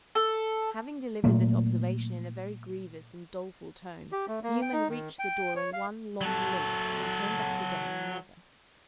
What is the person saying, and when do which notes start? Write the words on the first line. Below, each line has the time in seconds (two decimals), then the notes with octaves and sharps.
Having delivered this observation in a very grievous and doleful tone, Newman reached the door in one long limp, and came back again in another.
0.15 A4
1.24 A#2 F#3 A3 A#3
4.12 G4
4.28 A3
4.43 A#3
4.62 G5
4.73 D#4
4.89 D#3
5.19 G5
5.56 C#5
5.73 F5
6.21 F#3 A4